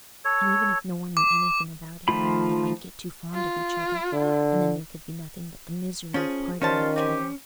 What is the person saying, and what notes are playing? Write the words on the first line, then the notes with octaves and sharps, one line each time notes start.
And even if no one knew anything about it, they might get too fond of each other, and then there could be nothing but the misery of parting, after all.
A4 C#5
D6
D#3 F3 A3 F4 B5
F4
D3
F3 C#4 G#4
D#3 G3 C#4 F4 C5 A5
C4 G4 G#5